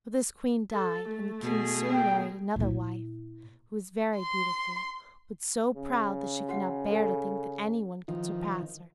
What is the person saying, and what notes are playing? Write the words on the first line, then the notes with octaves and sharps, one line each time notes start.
But this queen died; and the king soon married another wife, who was very beautiful, but so proud that she could not bear to think that any one could surpass her.
A4
A3
B2 G#4
G5
A#2 E4
C6
C#3
F#4 F#5
A4 G#5
D#3 F3